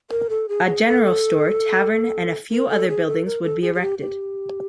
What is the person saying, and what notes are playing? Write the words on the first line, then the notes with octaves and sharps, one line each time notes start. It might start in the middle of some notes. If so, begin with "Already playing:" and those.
A general store, tavern, and a few other buildings would be erected.
A#4
A4
G#4
G#4
A4
A#4
A4
G#4
A4
A#4
A4
G#4
G#4
G4
G4